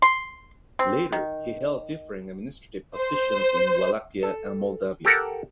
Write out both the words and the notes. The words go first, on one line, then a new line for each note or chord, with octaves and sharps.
Later he held different administrative positions in Wallachia and Moldavia.
C6
C4
D#3
C5
A4
G4 A4 A#4 F#5